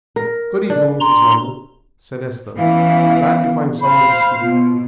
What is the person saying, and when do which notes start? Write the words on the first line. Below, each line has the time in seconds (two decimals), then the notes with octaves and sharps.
"Good evening, Mrs. Randal," said Esther, glad to find someone to speak to.
0.16 A#4
0.70 D4
1.00 A#5 C6
2.58 E3 B3 C#4 F5
3.81 C5 F5 B5
4.41 B2 F4